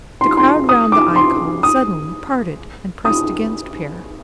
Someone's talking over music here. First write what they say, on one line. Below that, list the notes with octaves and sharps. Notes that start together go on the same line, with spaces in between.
The crowd round the icon suddenly parted and pressed against Pierre.
C6
C6
D#6
D6
C6
D#6
D#6